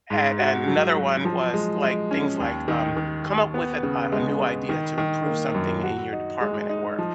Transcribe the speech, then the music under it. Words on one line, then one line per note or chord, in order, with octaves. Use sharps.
and and another one was, like, things like, um, "Come up with a a new idea to improve something in your department at work."
G#2
F#4
F#3
F#3
F3
G#3
G#3
C#4
D#2
D#3
D#3
D#2
B3
C#3
G#3
G#3
D#3
D#3
A#3
F#2
F#4
D#4
G#3
D#4
F3